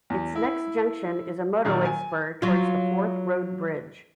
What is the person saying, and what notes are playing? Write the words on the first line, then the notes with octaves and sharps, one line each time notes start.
Its next junction is a motorway spur towards the Forth Road Bridge.
E2
E4
A#2 D#3 F#3
G#5
F#3 F4